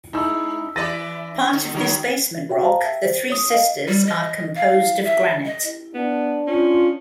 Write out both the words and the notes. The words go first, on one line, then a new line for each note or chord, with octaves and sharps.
Part of this basement rock, the Three Sisters are composed of granite.
G#3 D#4 E4 E6
E3 B4 D5 A6 A#6 D#7
D3 D#4
D#3 F#3 G#3 B3
F#4 C#5 E5 G5
C5 F5 A5 A#5
E5 G5
C5
C#5 D#6
D#5 F5
G3
D#5
F5
E5
D#5
B3 D4
C#4 F4